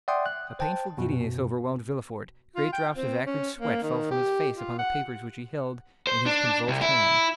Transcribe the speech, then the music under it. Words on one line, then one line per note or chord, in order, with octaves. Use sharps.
A painful giddiness overwhelmed Villefort; great drops of acrid sweat fell from his face upon the papers which he held in his convulsed hand.
D5 E5 F#5 G5 C6 D#6
F#6
C5 G5 A5
F#2 B2
F4
G5
C4
C#4
A#3
D#3
G4
F4
F#5
C5
D4
C2
E4